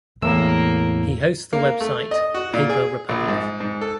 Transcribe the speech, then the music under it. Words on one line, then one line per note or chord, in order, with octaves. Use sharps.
He hosts the website "Paper Republic".
E2 A2 A#3 E6
A#3
A3
D#5
F#4
A#2
G#4
A#1
G#2
G#2
A4